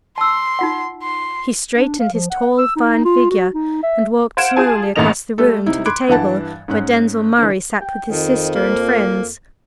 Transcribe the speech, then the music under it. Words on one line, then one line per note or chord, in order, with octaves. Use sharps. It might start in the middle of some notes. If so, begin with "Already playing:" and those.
He straightened his tall, fine figure and walked slowly across the room to the table where Denzil Murray sat with his sister and friends.
A5 C6 E6
D#4 F4 F#5
C6
D4
F5
F3
F#5
E6
D#4
F4
F#4
D#4
E5
C5 F5 F#5 G#6 D7 E7
F4 G#4 G#5 A5
A1 D#2 A3 A#3 D#5 F7
G3 A3 A4
C3 D#4 E4
B5 C6 D6 F#6 G#6 D7
G2 E3 F#5 A5 A6
G#2 C#4 F#6
D3 E3
G5
F2 D#3
A#3